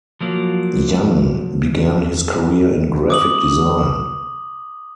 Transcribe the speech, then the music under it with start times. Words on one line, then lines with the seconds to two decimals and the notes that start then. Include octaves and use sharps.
Young began his career in graphic design.
0.21 F3 F#3 A#3
3.10 D6 D#6 F#7